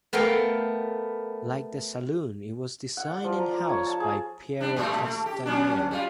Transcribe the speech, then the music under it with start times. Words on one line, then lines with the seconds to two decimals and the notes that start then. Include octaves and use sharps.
Like the saloon it was designed in-house by Piero Castagnero.
0.13 A3 B3 A#4 F5 G5
2.97 F#5
3.11 D5
3.24 F3
3.38 A#5
3.52 D5
3.69 C#5
3.87 A5
4.00 G#4
4.60 G3 D4
4.76 A2 G3 A3
5.03 A3
5.26 G4
5.46 F#3 C#4 D4
5.91 G3 F4